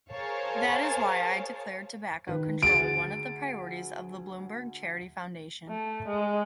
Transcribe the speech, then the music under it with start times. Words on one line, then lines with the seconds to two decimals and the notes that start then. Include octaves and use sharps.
That is why I declared tobacco control one of the priorities of the Bloomberg charity foundation.
0.11 G#4 A#4 C5 C#5 F5 A5
2.27 D#3 B4
2.63 D2 G#4 A6 D7
5.68 A3
6.08 G#3